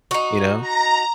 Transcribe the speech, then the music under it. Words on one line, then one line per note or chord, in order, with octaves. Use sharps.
you know,
D#4 F#4
A#5